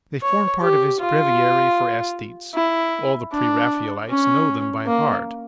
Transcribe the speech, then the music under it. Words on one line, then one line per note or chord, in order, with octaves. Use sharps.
They form part of his "Breviary for Aesthetes"; all the Pre-Raphaelites know them by heart.
C#5
G4
F4
E4
D4
C#4
A#3